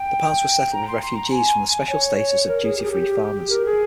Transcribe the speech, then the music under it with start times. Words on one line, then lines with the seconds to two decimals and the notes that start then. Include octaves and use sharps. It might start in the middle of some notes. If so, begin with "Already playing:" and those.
The parts were settled with refugees with the special status of duty-free farmers.
Already playing: G5
0.73 A#5
0.88 C6
1.02 C6
1.17 A#5
1.31 G#5
1.89 C#5
2.48 A#4
2.63 G#4
2.77 G4
2.84 G#4
2.91 G4
3.36 G4
3.50 A#4
3.65 G#4